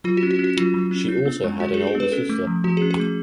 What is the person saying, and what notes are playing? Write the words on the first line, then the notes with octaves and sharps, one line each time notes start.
She also had an older sister.
F#3 F4
F#4
C#4
F#4
C#4
F#4
F#3 F4
F#3
C#4
D4
B3
G#3
G#3 F#4
D4 G#4
A4
B3
B4
C#4 A4
A3
F3
F3 F#4
G#4
C#4
G#4
A3